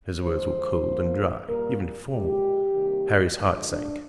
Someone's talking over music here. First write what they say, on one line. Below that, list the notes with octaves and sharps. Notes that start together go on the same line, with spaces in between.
His words were cold and dry, even formal. Harry's heart sank.
D3 F3 G#3 C5
C3 F3 A#3
A#2 G3 A#3 A#4
A#2 G#3 G4
C3 D#3 G3 A#3
D3 F3 G#3
D4